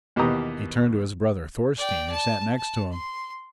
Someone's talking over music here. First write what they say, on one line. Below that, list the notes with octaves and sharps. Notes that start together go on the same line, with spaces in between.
He turned to his brother Thorstein who sat next to him.
D#2 B2 E3 G4 A#5 D#6
D5 G5
A5
A5
C6